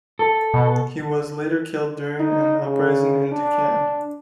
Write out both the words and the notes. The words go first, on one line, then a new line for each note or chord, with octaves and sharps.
He was later killed during an uprising in Deccan.
A4
B2
D#4
C#3
D4